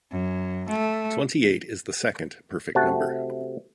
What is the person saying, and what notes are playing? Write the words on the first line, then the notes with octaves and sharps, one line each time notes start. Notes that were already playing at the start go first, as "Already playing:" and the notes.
Twenty-eight is the second perfect number.
F#2
A3
C3 A3 F#4 F#5 A5